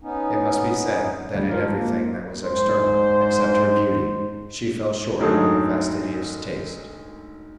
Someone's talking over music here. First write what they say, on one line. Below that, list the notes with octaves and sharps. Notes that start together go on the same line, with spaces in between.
It must be said that in everything that was external, except her beauty, she fell short of a fastidious taste.
B3 C#4 D#4
D2 G3
G#2 F3 A#4
A#3
G#2 C5
G#1 D2 F#3 D#4 G#4 A5